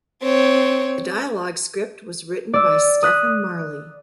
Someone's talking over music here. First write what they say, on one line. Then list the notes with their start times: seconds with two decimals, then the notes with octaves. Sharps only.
The dialogue script was written by Stephen Marley.
0.23 C4 C#5
2.53 D5 E6
3.03 D#6 F#6 B6